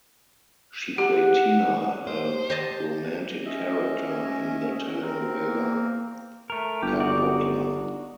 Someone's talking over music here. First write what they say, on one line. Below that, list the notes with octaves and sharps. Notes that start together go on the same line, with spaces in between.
She played Tina, a romantic character, in the telenovela Cabocla.
G4 F#5
C5
G4 D#5 A5
C#4 D#5 E5
C4 A#4
A#3
A3 A#4
G1 G4
D#4 F#4 D5